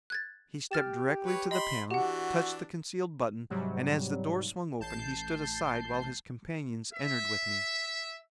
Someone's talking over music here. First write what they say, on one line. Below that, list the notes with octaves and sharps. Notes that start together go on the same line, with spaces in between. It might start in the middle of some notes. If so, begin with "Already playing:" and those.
He stepped directly to the panel, touched the concealed button, and as the door swung open he stood aside while his companions entered with me.
F#6 G#6 A6
G4 F6 A6 E7
B4 C#5
D#5 B5 C6
E3 D4 F#4 G4 F#5
G#2 C3 F#3 G3
A1 A5 G6 C7
E5